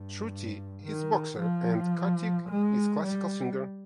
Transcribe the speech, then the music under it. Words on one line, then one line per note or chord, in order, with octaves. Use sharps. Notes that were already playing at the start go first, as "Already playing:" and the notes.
Shruti is boxer and Kartik is classical singer.
Already playing: G2
D#3
F3
G#3
G3